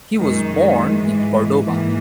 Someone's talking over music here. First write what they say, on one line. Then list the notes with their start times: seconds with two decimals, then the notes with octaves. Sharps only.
He was born in Cordoba.
0.17 F#2 D#3 G#3
0.54 G#3
0.91 G#2 E3
1.65 G#2 E3 A#3